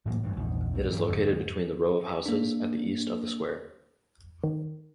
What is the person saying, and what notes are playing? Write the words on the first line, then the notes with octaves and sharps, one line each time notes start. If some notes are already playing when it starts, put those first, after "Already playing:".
It is located between the row of houses at the east of the square.
A2 E3 F#3 A#3
D2 G2 E3
A#1 E2 G2 D#3
B1 F#2 A#2
G2 E3 F#3 G3
F2 G#2 D3 G#3
A#3 D4
D#3